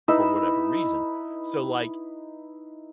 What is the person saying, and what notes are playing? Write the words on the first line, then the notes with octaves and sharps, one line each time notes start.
for whatever reason. So, like,
D#4 E4 B4 E6